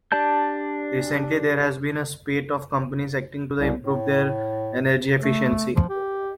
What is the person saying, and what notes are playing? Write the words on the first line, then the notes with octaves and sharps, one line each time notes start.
Recently there has been a spate of companies acting to improve their energy efficiency.
D4 G4 D5 A5 G6
C2
A2
A3
F3
G4